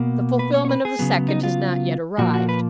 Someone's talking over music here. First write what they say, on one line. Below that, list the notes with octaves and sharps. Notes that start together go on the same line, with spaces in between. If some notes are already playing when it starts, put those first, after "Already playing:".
The fulfilment of the second has not yet arrived.
Already playing: B2 A#3
B4
C#5
C#5
B4
G#4
C#3 F#3 B3
D#4
F4
A#2 F3 A#3 F#4
F#4
B4